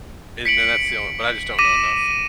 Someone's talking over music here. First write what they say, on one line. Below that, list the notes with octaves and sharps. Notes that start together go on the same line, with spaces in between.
And then that's the only but I just don't know enough.
B6 C#7 D7 F#7
D6 A#6 B6 D#7 E7